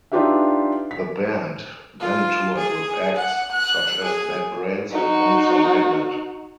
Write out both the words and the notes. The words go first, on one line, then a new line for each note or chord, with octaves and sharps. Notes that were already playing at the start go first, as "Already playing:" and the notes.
The band then toured with acts such as Bad Brains and Monster Magnet.
D4 D#4 F4 G4 B4 E5
B6
F4
G#4
F#5
F#6
G#4
D#4 F#4